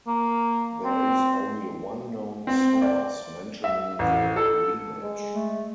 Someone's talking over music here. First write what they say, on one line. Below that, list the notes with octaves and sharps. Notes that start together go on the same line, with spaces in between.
There is only one known source mentioning the rematch.
A#3
C4
C4
D5
E5
A1
A4
G#3
A3